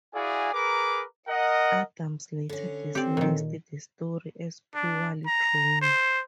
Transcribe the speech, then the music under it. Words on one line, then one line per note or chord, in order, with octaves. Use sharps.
Adams later dismissed the story as poorly drawn.
E4 F#4 G#4 D5 F5 G#5
G#4 A#4 B4 A#5 D6
A#4 D#5 F#5
D3 C#4
C4 G4 D5
A#2 D#3
D4
A#5
C5